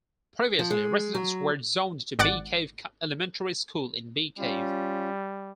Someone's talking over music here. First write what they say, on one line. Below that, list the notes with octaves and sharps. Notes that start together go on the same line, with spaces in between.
Previously residents were zoned to Bee Cave Elementary School in Bee Cave.
F3
G#3
F#3
G#1 D5 F#5 D6 A6
G3 C#4 F4